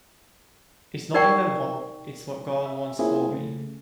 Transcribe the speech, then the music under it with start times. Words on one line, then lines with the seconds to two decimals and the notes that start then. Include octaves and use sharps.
It's not what I want; it's what God wants for me.
1.14 D#4 A#4 D5 F#5 G5 C#6
2.66 E5
2.99 A#3 C4 C#4 E4 F4 G#4
3.30 C#3 A3